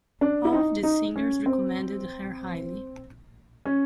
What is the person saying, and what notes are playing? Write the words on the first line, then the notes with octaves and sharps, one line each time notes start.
All of these singers recommended her highly.
D4
E4
D#4
D#4
C#4
C4
C#4